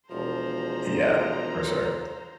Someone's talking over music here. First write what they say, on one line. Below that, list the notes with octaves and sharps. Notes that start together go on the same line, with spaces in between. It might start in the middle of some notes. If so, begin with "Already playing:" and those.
Yeah. For sure.
E1 F3 C5 A#5